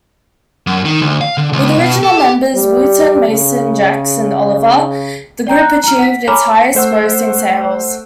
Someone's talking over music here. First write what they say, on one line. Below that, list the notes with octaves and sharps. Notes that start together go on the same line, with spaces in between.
With original members Wooten, Mason-Jacks and Oliver, the group achieved its highest grossing sales.
F#2
D#3
D2
F5
D3
C#2
B2
A4
G4
G3
C#3
D5 G5 A#5 G6
A#5 F#6
A#5 F6
F#5 B6
C#5 G#5 A#5 B5 D6 F6
A3 C5 F#5 E6